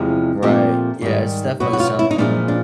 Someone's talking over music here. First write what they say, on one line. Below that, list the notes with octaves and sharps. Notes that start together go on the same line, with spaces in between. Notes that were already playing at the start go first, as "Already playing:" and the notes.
Right. Yeah. It's definitely something
Already playing: E2 C3 F3 G#3
A#2 F3 A3 C4 G4
G#2 D#3 G3
B2 F#3 B3 F#4
F#4
F4
E4
D#4
A#2 F3 G#3 D4
D4